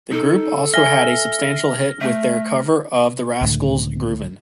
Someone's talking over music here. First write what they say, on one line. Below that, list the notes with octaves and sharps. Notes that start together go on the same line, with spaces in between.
The group also had a substantial hit with their cover of the Rascals' "Groovin'".
D#4 A4
E5 G#5 F6 A#6 G7
A3 E5
C#2 A2 D3